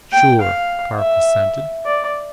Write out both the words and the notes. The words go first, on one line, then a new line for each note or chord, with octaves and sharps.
"Sure," Park assented.
G5
F5
E5
D5